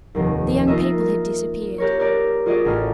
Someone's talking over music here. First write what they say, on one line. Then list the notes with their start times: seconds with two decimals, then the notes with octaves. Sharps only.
The young people had disappeared.
0.15 F1 D#2
0.67 D#4 F4 A#4 D#5 E5
1.78 G4 A#4 C#5
1.99 A#4 D5
2.46 F4 F#4 G#4 D5 D#5
2.65 A1 F#4 A4 F6